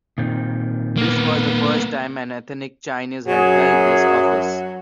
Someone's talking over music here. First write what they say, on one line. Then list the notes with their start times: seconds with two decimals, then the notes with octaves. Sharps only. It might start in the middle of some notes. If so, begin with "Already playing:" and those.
This was the first time an ethnic Chinese had held this office.
0.18 A#2 D#3 C4
0.97 A#3 B3
3.27 F#2 F#3 G#4